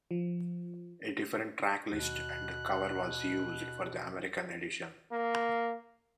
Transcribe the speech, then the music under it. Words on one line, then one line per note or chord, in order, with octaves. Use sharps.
A different track list and cover was used for the American edition.
F3
D#2 B2 F#6
A#3